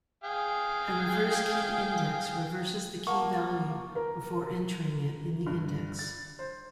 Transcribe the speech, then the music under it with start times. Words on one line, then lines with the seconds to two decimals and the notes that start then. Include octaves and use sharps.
A reverse key index reverses the key value before entering it in the index.
0.24 G#4 F5 G5
3.07 A#3 F#5 A5 C#6
3.95 A#4
5.46 G2
5.99 A6
6.39 C5